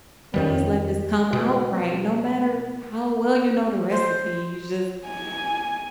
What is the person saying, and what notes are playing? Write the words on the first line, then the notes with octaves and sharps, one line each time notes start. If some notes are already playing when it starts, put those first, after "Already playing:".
"Please let this come out right," no matter how well you know the recipe you're just
F2 D#3 G3
B2
C5
G#5